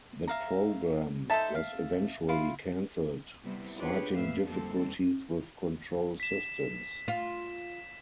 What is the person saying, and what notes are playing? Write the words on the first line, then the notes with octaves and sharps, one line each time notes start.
That program was eventually cancelled, citing difficulties with control systems.
E5 F5 A#5
D#4 A4 C5 E5 A5
F5
E4 F4 F5
C3 G3 B3 C4 E4
D4 F4 G4 G#4 B4 C#5
A2 A3 B4 E5 F5
F2 D3 G3 A#3 C4 A4
B6 E7
F4